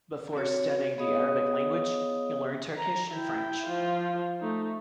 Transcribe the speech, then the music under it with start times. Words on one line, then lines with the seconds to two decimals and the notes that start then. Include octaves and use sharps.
Before studying the Arabic language, he learned Turkish and French.
0.35 C4 F#4 C#5
0.98 B3 G#4 C#5 D#5 F5 D#6
2.76 A#5
3.10 E4 G5
3.66 F3 F4
4.40 A3 D#4